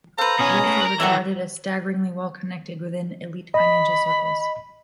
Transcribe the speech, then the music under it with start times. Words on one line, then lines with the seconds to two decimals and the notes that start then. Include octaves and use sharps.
Wolf is regarded as "staggeringly well connected" within elite financial circles.
0.18 A4 B4 C5 F5 A#5
0.39 B2 C#4 G#5 D#6
0.65 A2
0.81 A#4 B4
1.00 D#3 E3 F#3 F#4 G4 A4 C#5 E5
3.54 D#5 B5